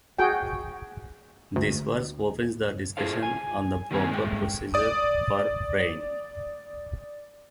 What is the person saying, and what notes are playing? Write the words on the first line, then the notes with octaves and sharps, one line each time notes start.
This verse opens the discussion on the proper procedure for praying.
F#4 G#4 G5
D2
E4 F4 G#4 A4 C5 F5
G#5
D#3 G3 A#3 C4 G#5
G2 G#3 A3 G5
D5 D#6